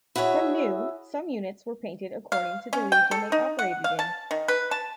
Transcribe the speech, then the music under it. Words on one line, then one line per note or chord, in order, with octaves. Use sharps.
From new, some units were painted according to the region they operated in.
E4 F#4 G#4 C#5 E5
F5
C#4
G5
A4
D#4
F#5
F5
A5
D#3
B4
A5